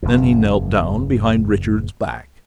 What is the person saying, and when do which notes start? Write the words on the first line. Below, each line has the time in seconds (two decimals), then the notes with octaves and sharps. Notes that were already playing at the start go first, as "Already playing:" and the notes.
Then he knelt down behind Richard's back.
0.03 F#1 E2